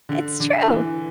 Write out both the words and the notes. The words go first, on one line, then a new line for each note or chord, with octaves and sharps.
It's true.
D3
D3
E3